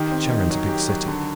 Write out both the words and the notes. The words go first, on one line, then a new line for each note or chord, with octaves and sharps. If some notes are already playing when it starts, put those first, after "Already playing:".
Charin's a big city.
Already playing: D#3 G4
C4
D#4
F#3
G4
F#3
D3